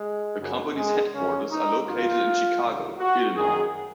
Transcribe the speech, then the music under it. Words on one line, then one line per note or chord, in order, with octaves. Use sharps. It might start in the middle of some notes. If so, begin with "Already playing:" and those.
The company's headquarters are located in Chicago, Illinois.
Already playing: G#3
F#2 C#3
G#3
F2 C#3 C#4
D#4
F2 D#3 F4
C2 C3 D#3
F#4
F#2 D#3 G#4